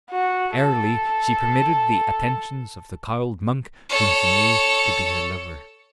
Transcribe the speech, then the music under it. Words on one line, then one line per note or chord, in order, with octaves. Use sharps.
Early she permitted the attentions of the cowled monk whom she knew to be her lover.
F#4
A4
A4 C#5